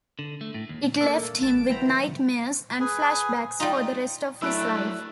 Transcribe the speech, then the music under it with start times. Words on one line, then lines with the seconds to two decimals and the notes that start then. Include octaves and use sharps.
It left him with nightmares and flashbacks for the rest of his life.
0.19 D3
0.41 A3
0.54 A2
0.69 D#2
1.01 A3 A#3 D4 A4
1.42 A1 A5 D7
1.69 B3 C4 E4 G5 A#5 B5
2.80 G#4 B4 G#5
3.60 G3 D#4 F4 A#5
4.42 F#3 A3 D4 E4 E6 F#6 D7